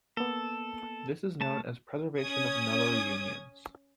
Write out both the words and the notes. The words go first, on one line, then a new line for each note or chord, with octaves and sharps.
This is known as preservation of nullary unions.
A#3 B3 A4
A3 A5
C#4 D#6 G#6